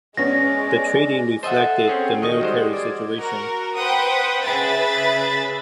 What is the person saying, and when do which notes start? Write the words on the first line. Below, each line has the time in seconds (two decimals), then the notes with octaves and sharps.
The treaty reflected the military situation.
0.17 G#3 B3 C#4 C#5 D5 A#6
1.43 A4 C5 D#5 E5 F#5
1.88 C4 C#4 G#4
2.22 D#3 F#4 D#5
2.41 G3 G#3 C5
2.73 D5 G#6
3.18 F#4 A#4
3.76 B4 C5 F#5 G5 D#6
4.43 C#3 G#4 B4 E5 B5 A6